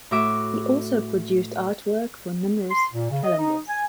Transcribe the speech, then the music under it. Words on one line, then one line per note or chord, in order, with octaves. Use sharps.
He also produced artwork for numerous calendars.
A2 F#4 E5 D6
C6
A#2
C#3
D#5
D#4
G#5